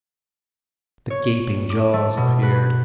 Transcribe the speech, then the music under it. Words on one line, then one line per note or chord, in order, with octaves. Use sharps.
The gaping jaws appeared.
C#5
D6
A3
B2
B4